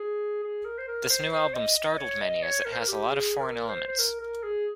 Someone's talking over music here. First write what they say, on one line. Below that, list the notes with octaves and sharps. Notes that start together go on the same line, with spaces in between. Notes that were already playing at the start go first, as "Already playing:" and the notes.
This new album startled many, as it has a lot of foreign elements.
Already playing: G#4
G#4
A#4
C5
A#4
C5
C5
D#5
D#5
C#5
D#5
C#5
A#4
C5
A#4
G4
G#4
A#4
C5
C5
A#4
A#4
G#4